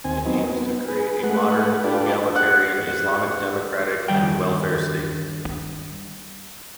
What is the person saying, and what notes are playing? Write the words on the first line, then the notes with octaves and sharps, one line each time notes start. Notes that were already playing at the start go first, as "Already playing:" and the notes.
It aims to create a modern, egalitarian, Islamic democratic and Welfare state.
D#2 C4 G#5
F#3 B3 C4 D#4
B3
G#4 B4
G#3 A3 B4 F#5
D4 F4 G4 A4 B4 D5
F#5
G2 D#3 G3 G5